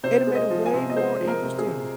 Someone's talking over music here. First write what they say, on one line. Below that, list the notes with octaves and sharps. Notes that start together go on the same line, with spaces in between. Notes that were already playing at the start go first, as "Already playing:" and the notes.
it'd a made it way more interesting
C3 C5
G#3
D#5
F3
G#5
C3
D#5
G#3 C5
F3
A#4
C3
G#4
C3